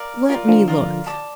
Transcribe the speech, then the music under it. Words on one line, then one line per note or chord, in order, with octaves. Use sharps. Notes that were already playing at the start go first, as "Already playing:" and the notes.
"Let me look."
Already playing: A#4 D5 F5
F4 A#4 D5 F5
D3 F3
F4 A#4 D5 F5
D5 A5 D6